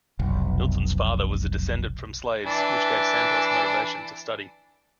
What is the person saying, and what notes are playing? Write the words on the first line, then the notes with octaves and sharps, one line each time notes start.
Milton's father was a descendant from slaves, which gave Santos motivation to study.
F1 B1
E3 D4